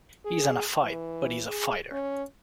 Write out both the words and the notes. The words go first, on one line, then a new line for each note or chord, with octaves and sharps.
He's in a fight, but he's a fighter.
G#4
E3
G#4
C#4